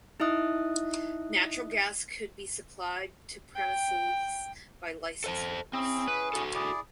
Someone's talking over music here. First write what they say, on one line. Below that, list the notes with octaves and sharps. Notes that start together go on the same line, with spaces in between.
Natural gas could be supplied to premises by license holders.
D#4 E4 D#5 E5 D#6 F#6
G5
A4 C5 A5
C4 C#4 E4 G#4
B4
F#4 A4
E4 G#4 D5